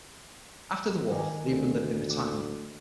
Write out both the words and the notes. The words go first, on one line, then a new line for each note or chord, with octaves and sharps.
After the war, Lebrun lived in retirement.
D#3 G#5 D6
D2
F#4 D6